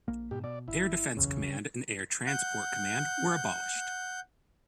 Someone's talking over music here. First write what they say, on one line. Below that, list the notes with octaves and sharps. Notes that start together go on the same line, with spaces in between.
Air Defence Command and Air Transport Command were abolished.
A#1 A#3
G#2 B2 G4
B2 D5
G1 E4
F#1 B1 E2 C#3
F#5 G6